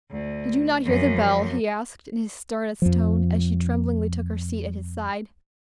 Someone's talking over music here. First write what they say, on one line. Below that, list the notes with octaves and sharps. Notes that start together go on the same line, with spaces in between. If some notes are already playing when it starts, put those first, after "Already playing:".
"Did you not hear the bell?" he asked, in his sternest tone, as she tremblingly took her seat at his side.
D2
F#2 F3
F2 F3